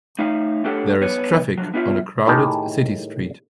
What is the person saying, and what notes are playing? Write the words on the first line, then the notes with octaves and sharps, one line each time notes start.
There is traffic on a crowded city street.
A3 D#4 C#5 E5 F5
A3 D4 G4 A4 C#5 F#5
G2 B3 C#5
D3 F3 F#3
B3 D4 E4 F4 C#5 E5
A2 D#3 D#4 G4 G#4 A5